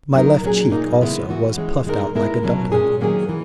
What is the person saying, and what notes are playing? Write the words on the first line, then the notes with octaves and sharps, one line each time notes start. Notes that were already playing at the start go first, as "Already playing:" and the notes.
My left cheek, also, was puffed out like a dumpling.
F#3 A#3 D#4 A#4
A#2 F#3 C#4 G#4
A#2 A#3 D#4
C#3 E3 G#3 B3 E4
E3 B3 F#4
E3 G#3 C#4
A#2 G#3 D#4 F#4 A#4
G#3 B3 E4 A#4
B2 F#3 C#4
A#2 G#3 C#4 G#4
D#3 F#3 A#3 C#4 G#4
E3